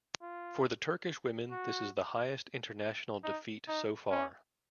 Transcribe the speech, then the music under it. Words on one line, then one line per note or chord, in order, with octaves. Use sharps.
For the Turkish women this is the highest international defeat so far.
F4
F#4
D#4
D#4
C#4